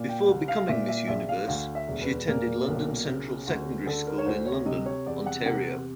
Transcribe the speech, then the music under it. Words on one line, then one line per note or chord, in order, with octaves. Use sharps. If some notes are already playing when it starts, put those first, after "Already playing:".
Before becoming Miss Universe, she attended London Central Secondary School in London, Ontario.
Already playing: A#2
G5
C2
F5
A#2 E5
E5
A#1 E5
F5
D2 F5
E5
E1
B4
A#2 A#4
B1
C#3
D2
D3 A4
A#4
C#5
D2 C5
C#5
C3 D#5
C#5
E2 D5
F#5
C3 F#5